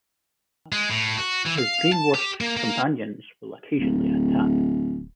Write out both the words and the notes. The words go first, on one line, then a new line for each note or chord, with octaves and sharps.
His brainwashed companions will occasionally attack.
G#3
A2
F#4
E3
F5
A5
G4
A#3
A#3
D1